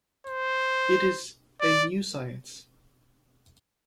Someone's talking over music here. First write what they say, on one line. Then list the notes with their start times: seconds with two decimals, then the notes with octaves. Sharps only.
It is a new science.
0.27 C5
1.61 D5